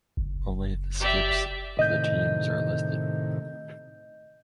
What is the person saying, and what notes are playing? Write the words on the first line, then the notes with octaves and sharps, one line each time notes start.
Only the skips of the teams are listed.
F#1
G4 D5 E5
A2 C3 D#3 D#5 G6